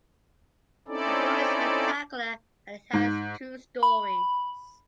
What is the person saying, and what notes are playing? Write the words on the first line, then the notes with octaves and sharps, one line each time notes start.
The floor is rectangular and it has two stories.
C4 C#4 D#4 E4 A4 D5
G#2
B5